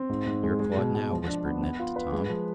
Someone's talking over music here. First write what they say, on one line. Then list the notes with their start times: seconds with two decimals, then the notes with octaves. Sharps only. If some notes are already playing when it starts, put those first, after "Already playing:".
"You're caught now," whispered Ned to Tom.
Already playing: C4
0.09 G#2
0.26 G#2
0.43 G#3
0.60 G#3
0.77 B2
0.94 B2
1.11 F3
1.28 D4
1.45 B3
1.62 B3
1.79 F4
1.96 B4
2.13 G#3
2.29 F3